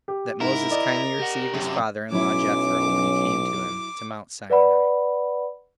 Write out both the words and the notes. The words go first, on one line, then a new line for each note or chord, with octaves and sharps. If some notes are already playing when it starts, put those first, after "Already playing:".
That Moses Kindly Received-His Father-In-Law, Jethro, When He Came To Him To Mount Sinai.
G4
G#2 E4 A#4
D5 D#5
G4 F#5
F#2 C3
B1 F#3 C#4 E4 D6
B4 D5 F#5 B5